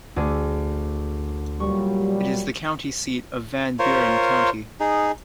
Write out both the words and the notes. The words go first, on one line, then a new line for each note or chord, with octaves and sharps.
It is the county seat of Van Buren County.
D2 G#4
A#2 F#3 G3 C#6
F4 A#4 C5 C#5
D#4 G#4